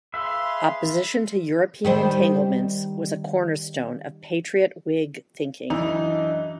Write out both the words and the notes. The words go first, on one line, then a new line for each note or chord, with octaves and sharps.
Opposition to European entanglements was a cornerstone of Patriot Whig thinking.
G#4 B4 E5 F5 C6
D#3 G3 C5
F#2 E3 D4 D#4 D#5